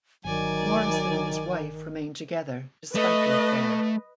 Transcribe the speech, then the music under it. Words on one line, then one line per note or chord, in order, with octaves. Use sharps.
Morrison and his wife remained together despite the affair.
G1 D#3 F#3 D5 G#5
A3 B4 D#5